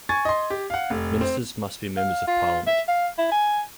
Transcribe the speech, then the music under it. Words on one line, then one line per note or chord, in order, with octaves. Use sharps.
Ministers must be members of parliament.
G#5 C#6 G#6 A6
D#5 C6
G4
F5 F#5
F1
C4
F5
F4
E5
F5
E4
G#5